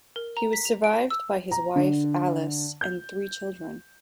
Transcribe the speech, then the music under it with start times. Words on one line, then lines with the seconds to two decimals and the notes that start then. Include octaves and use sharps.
He was survived by his wife Alice and three children.
0.16 A#4
0.37 A#5
0.53 B6
0.65 F7
0.84 D7
1.10 E6
1.51 A#5
1.76 D3
2.81 G6